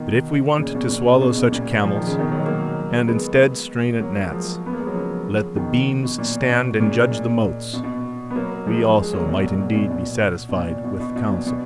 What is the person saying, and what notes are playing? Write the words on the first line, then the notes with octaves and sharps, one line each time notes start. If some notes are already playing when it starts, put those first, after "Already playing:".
But if we want to swallow such camels, and, instead, strain at gnats, let the beams stand and judge the motes, we also might indeed be satisfied with the Council.
Already playing: B2 D#3
A#2 C#3
B2
A#2
C#3
B2
B2
A#2 C#3
F3
D#3
C#3
B2 D#3
F#3
G#3
F#3 A#3
G#3 B3
F#3 A#3
F3 G#3
B3
A#3
G#3
F#3
C#3 F3
B2 D#3
B2
A#2
B2
A#2 C#3
A#2
B2
B2
B3
F#3 A#3
F3 G#3
G#3
F#3 A#3
A#2
B2
A#2
A#2
B2
B2
B2
A#2
B2
B2
B2
A#2
B2